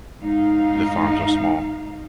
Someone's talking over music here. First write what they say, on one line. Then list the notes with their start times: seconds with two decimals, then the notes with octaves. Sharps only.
The farms are small.
0.22 G#2 D#4 F5